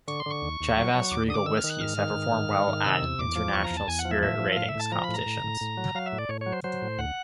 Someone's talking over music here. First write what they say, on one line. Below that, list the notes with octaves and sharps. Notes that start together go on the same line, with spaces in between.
Chivas Regal whiskies have performed well at international spirit ratings competitions.
D3 C#6
C6
D3 C#6
D#2
D#2
F#3
F#3
D#2 D6
D3 D#6
D6
D#3 E6
F6
D#3
F#6
G#2 F6
D#3
G#2
D#3
G#2
D#3
C3 E6
E2
E2 D6
F3
E2 C#6
A#5
E2
A5
E2 G#5
F#5
F3
E5
A2 E5
F3
E5
A2 F5
E5
A2 A5
F3 A#5
A2 B5
A#5
A2
A2
A2
F#3
F#3 F5
E5
A2
D5
A2 C#5
C#5
F#3
C5
F#3 C5
A2
D2 F#5